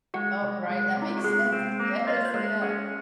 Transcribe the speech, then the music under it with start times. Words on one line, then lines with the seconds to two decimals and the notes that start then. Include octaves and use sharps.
Oh, right, that makes sense, yes, yeah.
0.14 G#3 F#4 F#5
0.42 C2
0.70 G#3
0.96 C3
1.02 D#4
1.10 F4
1.18 F#4
1.24 G#3 G#4
1.52 C4
1.80 A#3
1.99 F5
2.07 F4 D#5
2.17 C#5
2.25 C5
2.34 G#3 A#3 A#4
2.62 C#4 G#4